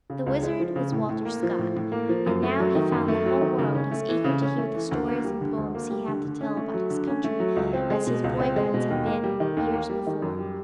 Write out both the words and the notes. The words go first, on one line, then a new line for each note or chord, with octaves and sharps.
The Wizard was Walter Scott, and now he found the whole world as eager to hear the stories and poems he had to tell about his country as his boy friends had been years before.
C#3
C#2
G#3
F3
C#3
A2
A2
A#3
F3
A2
A2
A#3
F3
F#2
A3
F#3
D#3
F#2
A3
F#3
D#3
C#3
C#4
A3
E3
C#3
C#4
A3
E3
D2
A#3
G3
D3
D2
A#3
G3
D3
D3
C#4
A3
F#3
D3
C#4
A3
F#3
C#2
C4
G#3
B2
C#2
C4
G#3
B2
D#2
A#3
G3
D#3
D#2
A#3
G3
D#3
F#2
G3